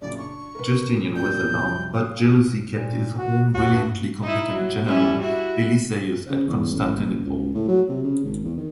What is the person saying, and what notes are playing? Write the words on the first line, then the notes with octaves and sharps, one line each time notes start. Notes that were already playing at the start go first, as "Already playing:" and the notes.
Justinian was alarmed, but jealousy kept his one brilliantly competent general Belisarius at Constantinople.
F#2 A#2 C#3 D5
D4 C#6
A#4 B4
A#2 C4 A#4 G6
C2 F3
F5 D#6
A#2
F#4
D#2 F#4
G2
D#4 E4
F#3
G3 C#4 E4
E4 F#4
C#3
E2
A1
F#1
C#2
A2
F#3
C3
C#3
G#1
E2
D#3